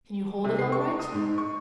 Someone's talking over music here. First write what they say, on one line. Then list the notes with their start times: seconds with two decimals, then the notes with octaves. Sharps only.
"Can you hold it all right?"
0.44 C3
0.59 C7
0.72 C#6
0.99 D#6
1.12 G#2
1.38 C#6